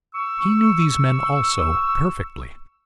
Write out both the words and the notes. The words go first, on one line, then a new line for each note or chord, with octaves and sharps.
He knew these men, also, perfectly.
C#6 E6